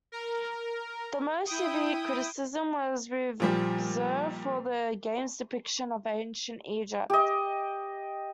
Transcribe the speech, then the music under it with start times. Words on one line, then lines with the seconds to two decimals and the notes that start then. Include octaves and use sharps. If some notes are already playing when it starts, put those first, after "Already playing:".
The most severe criticism was reserved for the game's depiction of Ancient Egypt.
0.12 A#4
1.46 E4 G5 D#6
3.40 A#2 F3 G3
7.10 G4 D#5